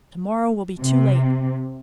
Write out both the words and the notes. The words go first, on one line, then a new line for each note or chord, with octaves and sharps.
"To-morrow will be too late."
C3